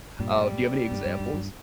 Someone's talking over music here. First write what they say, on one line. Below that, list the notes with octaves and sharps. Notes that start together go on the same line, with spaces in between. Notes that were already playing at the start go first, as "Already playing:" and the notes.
Uh, do you have any examples?
G2 A#2 G3
G2
G2
G2
G2